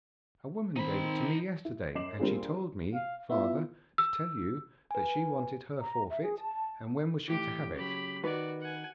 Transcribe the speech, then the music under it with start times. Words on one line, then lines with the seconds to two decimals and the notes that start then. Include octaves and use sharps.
'A woman gave it to me yesterday, and she told me, father, to tell you that she wanted her forfeit, and when was she to have it?'
0.77 D#3 C4 D#4 B5
1.65 E4
1.95 F#2 D#5 D6 C7 E7 F#7
2.19 G3 A#3 C4 D4 F4 G#4
2.94 F5
3.30 B3 E4 F4 E5
3.98 E6
4.91 B4 G#5
5.80 A#5
6.10 E5
6.22 G#4
6.39 A5
7.28 A2 E3 G4 G5
7.76 C#3 F#3 G4 B5
8.24 D#3 F#4 B4 D5
8.61 F#5 G#5